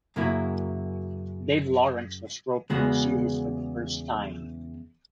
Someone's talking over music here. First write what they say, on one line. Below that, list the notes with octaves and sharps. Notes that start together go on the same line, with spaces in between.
Dave Lawrence was roped in the series for the first time.
F#2 C#3 F#3 A#3 E4
E2 C#3 G#3 B3 F#4